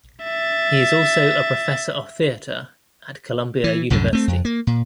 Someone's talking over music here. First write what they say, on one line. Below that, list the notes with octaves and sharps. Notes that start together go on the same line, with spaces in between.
He is also a professor of theater at Columbia University.
E5 A6
E3
C2 F#2 A2 D3
A3 C4
F2
A#3
A#2